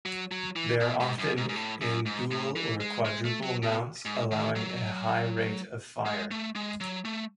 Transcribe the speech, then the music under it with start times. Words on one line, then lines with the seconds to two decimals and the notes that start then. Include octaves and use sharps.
They are often in dual or quadruple mounts, allowing a high rate of fire.
0.06 F#3
0.31 F#3
0.56 E3
0.81 B2
1.00 G#2
1.19 F#2
1.37 G#2
1.49 G#2
1.56 A2
1.81 F#2
2.06 G#2
2.31 A2
2.56 E3
2.80 G#3
3.05 G#3
3.25 A3
3.43 F#3
3.63 B2
4.05 G#2
4.31 D#3
4.56 F#3
6.05 G#3
6.31 A3
6.56 G#3
6.80 F#3
7.05 A3